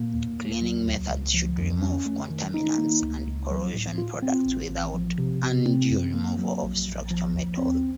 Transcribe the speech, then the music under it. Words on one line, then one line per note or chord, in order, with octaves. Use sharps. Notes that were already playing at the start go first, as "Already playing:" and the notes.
Cleaning methods should remove contaminants and corrosion products without undue removal of structural metal.
Already playing: A#2 A#3
D#2
D#2
F#3
C#2
C#2
F3
F2
C#4
A3
D#3
D#4
A#3
C#2
C#2
F#3
A2
F4
C4
A1
A1
F3
C3
C3
C4
F#2
A#3
F#3
A#1
A#1
F3
D#2
C4